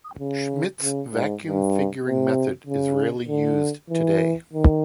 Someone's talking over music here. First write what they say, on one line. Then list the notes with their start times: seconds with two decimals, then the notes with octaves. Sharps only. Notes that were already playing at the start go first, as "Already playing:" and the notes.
Schmidt's vacuum figuring method is rarely used today.
0.20 C#3
0.81 C#3
1.13 G#2
1.44 G2
2.06 C3
2.66 C#3
3.28 D3
3.90 E3
4.53 D#3